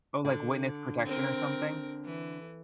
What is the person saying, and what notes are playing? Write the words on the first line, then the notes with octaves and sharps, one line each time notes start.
Oh, like witness protection or something?
D3
C4 A#4
E3